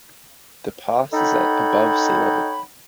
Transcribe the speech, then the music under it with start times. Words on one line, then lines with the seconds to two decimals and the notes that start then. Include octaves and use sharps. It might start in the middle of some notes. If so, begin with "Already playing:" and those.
The pass is at above sea level.
1.13 D#4 A4 C#5 F#5 G5 B5